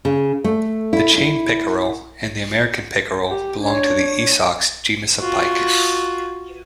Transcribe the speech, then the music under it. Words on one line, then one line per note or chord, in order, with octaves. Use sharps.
The chain pickerel and the American pickerel belong to the "Esox" genus of pike.
C#3
A3
E4
E4
G4
D4 C#5
F4 F#4